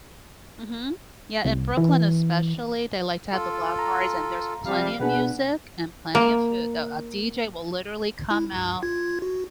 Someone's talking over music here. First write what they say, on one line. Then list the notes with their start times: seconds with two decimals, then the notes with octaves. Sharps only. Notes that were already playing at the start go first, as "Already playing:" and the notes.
mhm, yeah, in Brooklyn, especially, they like to have the block parties, and there's a plenty of music, and plenty of food though, a DJ will literally come out
1.45 C2
1.77 E3
3.33 F4 A4
3.79 A#5
4.65 C3 F3 G3 F5
5.00 B2 B3 D4 G#4 B4 F#5
6.15 A#3
8.31 E4
8.53 C#2 G2
8.83 F4 G#6
9.22 F#4